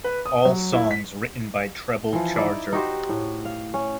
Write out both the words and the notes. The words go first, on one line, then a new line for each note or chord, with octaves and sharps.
All songs written by Treble Charger.
B4
D#6
F#3
E4
B6
E3 F3
D#4 E4 D5
D#4 F#4 G4 C5
A2
F5
C#4